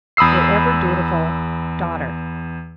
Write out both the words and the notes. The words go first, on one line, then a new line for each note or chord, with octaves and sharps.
Your ever dutiful DAUGHTER.
E2 B5 D#6 E6 C7